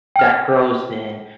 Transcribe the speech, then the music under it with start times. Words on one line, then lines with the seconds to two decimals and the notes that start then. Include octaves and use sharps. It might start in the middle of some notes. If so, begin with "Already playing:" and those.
that grows, then
0.16 G5 F6